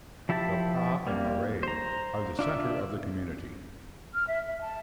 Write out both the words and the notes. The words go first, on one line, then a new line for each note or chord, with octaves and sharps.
The Pa and Marae are the centre of the community.
F3 E4 G4 E5 A5
G3 A#3
C5 A#5
D4 F4 D5 E5
F6
E5
E5
A5